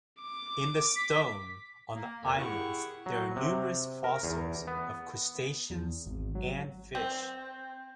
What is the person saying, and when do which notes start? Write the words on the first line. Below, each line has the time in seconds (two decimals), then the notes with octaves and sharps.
In the stone on the islands there are numerous fossils of crustaceans and fish.
0.22 D6
0.96 B6
1.94 A#3
2.23 F2 A#2 D#3
2.38 E4 G4 G#4 F#5 C#6
3.06 F#3
3.36 C3
4.04 A#4
4.23 E2
4.67 B3
5.70 E2
6.06 G#1
6.35 F#3
6.95 C4